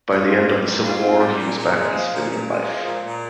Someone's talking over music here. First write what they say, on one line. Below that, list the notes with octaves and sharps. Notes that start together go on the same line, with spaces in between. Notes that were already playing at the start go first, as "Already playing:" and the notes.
By the end of the Civil War he was back in civilian life.
F4
C4
G3
G#2
F4
C4
G3
A#2
A#2
G#3
F3
A#2
A#2
G#3
F3
A#2
A#2